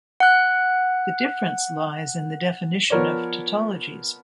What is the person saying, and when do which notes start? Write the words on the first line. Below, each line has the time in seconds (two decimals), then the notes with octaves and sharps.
The difference lies in the definition of tautologies.
0.20 F#5 F#6
2.90 F3 B3 A#4 C#5 D5